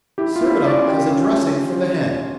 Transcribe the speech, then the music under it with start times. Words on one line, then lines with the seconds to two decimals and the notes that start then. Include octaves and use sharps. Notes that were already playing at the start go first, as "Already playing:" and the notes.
Serve it up as a dressing for the head.
0.18 E4 G4
0.36 F4
0.41 E4
0.53 D4
0.65 D5
0.71 C#4
0.88 G4
1.11 C#4